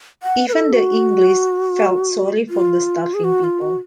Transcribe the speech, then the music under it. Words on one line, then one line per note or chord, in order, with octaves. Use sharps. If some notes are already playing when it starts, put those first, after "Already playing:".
Even the English felt sorry for the starving people.
F#5
B4
A4
F#4
F4
G#4
F#4
F4
F#4